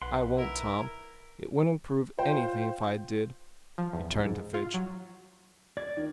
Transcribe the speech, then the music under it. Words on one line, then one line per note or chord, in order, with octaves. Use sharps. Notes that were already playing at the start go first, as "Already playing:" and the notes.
"I won't, Tom; it wouldn't prove anything if I did." He turned to Fitch.
B1 B4 F#5 C6
E4 A#4
F4 C5 G5
F3
E2
C2
G#2
F4
F#3
D5 G#6
D#3